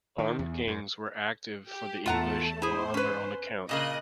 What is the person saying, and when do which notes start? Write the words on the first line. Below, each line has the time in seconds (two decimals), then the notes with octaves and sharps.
Armed gangs were active for the English or on their own account.
0.19 D#3
0.39 E2
0.67 F#2
1.68 G4
2.06 E2 A3 F4 F#5 A5 A#5
2.62 E4 G#4 C5
2.94 C#4 B4
3.69 A#2 C#3 A#3 D#5 F#6